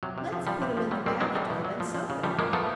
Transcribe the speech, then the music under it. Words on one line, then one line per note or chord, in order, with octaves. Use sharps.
"Let's put him in the bath tub and soak it off."
C3 F#3
C3
F3
F3 G3
C3
F3
F#3 G3
B2 A#3 C4
B2 F#3 G#3
F#3 G3 A3
B2
F#3
F3
F3
C#3
F3 G3 A3
F3 G#3 A#3
F3 A3 B3